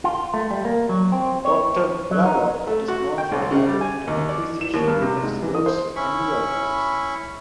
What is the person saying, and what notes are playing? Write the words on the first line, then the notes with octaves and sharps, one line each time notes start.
Doctor Blalock is known for having an appreciation of sports and the outdoors.
F4
A3
G3
A#3
F#3
C4
C#5
F#3
D#4
A3
F#4
G5
C2
C#3
G3
G#5
D#2
D5
E7
D#2
G2
C3
G#2
E3
D#6
C5
C#4 E4 B5 C#6